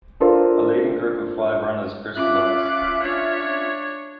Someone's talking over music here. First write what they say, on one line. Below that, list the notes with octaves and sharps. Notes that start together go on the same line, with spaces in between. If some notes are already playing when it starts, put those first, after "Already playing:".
A leading group of five runners crystallized.
D4 F4 A4 A#4 C5
C#4 F4 E5 D6 F#6
D4 C#5